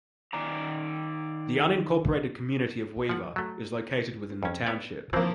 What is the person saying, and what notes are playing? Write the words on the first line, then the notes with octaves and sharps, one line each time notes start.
The unincorporated community of Weaver is located within the township.
D#3 D5 A#5
F3 F#5
F#3 A3
F2 C#4
B3 C#5 D5
E3 F3 A#3 C4